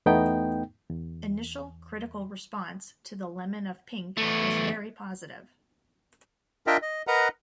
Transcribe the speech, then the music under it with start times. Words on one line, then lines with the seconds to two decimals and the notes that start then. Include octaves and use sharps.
Initial critical response to "The Lemon of Pink" was very positive.
0.06 E2 A3 B3 D#4 G5
0.90 E2
4.17 E2 A3
6.67 D4 F4 A#4 D#5 E5 G5
6.82 D#5
7.07 A#4 B4 D#5 F#5 A#5